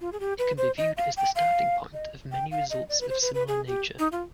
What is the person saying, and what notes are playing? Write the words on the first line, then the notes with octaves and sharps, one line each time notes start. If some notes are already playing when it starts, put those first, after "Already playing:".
It can be viewed as the starting point of many results of similar nature.
F4
G#4
G4
B4
C5
D#5
F5
G5
F5
D#5
G5
F5
D#5
D5
B4
C5
B4
B4
G#4
G4
D#4
F4